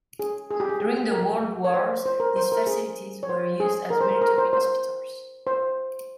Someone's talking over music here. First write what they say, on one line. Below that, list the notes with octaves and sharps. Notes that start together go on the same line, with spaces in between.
During the world wars, these facilities were used as military hospitals.
G#4
G#4
G4
G#4
G#4
A#4
C#5
C5
C5
A#4
C5
A#4
G#4
C#5
C5
G#4
A#4
C5
A#4
A#4
C5
C5
C5